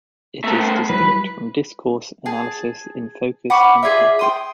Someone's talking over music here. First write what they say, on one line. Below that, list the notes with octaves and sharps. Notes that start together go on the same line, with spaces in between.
It is distinct from discourse analysis in focus and method.
A3 B3 E5 A5
F#3 G3 E4 B4
G#4 A5
F#5 B5 C#6 D6
F4 G#4 D5 E5
G5 C6 D#6